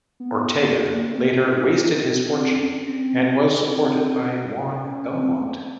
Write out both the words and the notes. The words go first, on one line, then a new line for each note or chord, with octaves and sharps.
Ortega later wasted his fortune, and was supported by Juan Belmonte.
B3
A#3
A#3
C4
B3
C4
B3
C4
C4
C#4
C4
C#4
C4
A3